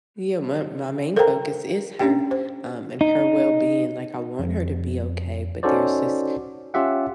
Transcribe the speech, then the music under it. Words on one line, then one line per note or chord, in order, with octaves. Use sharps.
Yeah, my my main focus is her, um, and her well-being, like, I want her to be okay, but there's this
A4 A#4 C5 F5 G5 A#5
C#4 D4 G4 G5
C5
D#4
F2
C#4 D#4 F#4 A4 C5 D5
C#4 F4 G4 E5 F#5